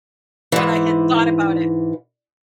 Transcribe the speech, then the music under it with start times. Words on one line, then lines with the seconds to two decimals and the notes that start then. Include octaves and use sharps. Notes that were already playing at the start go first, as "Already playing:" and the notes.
But I had thought about it.
0.52 G#2 E3